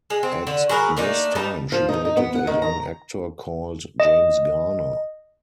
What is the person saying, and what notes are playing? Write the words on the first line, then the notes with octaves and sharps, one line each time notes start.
At this time she dated a young actor called James Garner.
G#3
C4
D3
F#3 G#4 A#4 B4
A3 A#3 D4 D#4
G3 D#4 A5
F3
D#4
D#4
B3
F#5
D#3
A#5
D#5